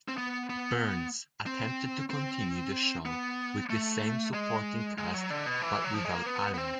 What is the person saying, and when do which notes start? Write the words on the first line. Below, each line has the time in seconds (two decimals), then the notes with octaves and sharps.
Burns attempted to continue the show with the same supporting cast but without Allen.
0.08 C4
0.18 B3
0.49 B3
1.46 C4
2.10 C4
3.05 B3
3.70 A3
4.34 G#3
4.98 G#3
5.14 F#3
5.30 D3
5.46 B2
5.62 E3
5.84 F#3
5.94 F3
6.05 G#3
6.15 A#3
6.26 B3
6.54 B3
6.58 C4